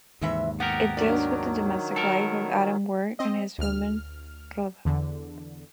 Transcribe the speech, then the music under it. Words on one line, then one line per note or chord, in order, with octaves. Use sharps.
It deals with the domestic life of Adam Work and his woman Rhoda.
D#2 G#2 C3 E3 E5
B3 G4 A#4 F#5
D#3 F#3 D4 D5
G3 A4 A#4 A5
C4 D#5
D2 F6
E2 D3